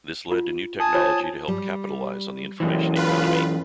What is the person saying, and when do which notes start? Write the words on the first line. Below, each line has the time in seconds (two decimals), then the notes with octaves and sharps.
This led to new technology to help capitalise on the information economy.
0.32 F4
0.80 G#5 A5 D#6
0.94 F4 C5 C#5
1.48 G3
2.60 F#2 E3
2.96 F4 B4